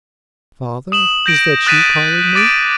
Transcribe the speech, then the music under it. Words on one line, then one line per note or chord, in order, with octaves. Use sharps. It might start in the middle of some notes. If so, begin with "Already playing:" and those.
Father, was that you calling me?
D#6 E7 F#7
G6 A#6 D7
D#6 F#6 A6 B6 D#7 E7
D6 A6 D7